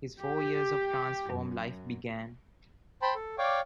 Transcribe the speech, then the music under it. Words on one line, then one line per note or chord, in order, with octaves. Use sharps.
His four years of "transform" life began.
G4
F#2
C5 G5 A5 B5 C6
A4
C#5 D5 F5 G5 C#6 D6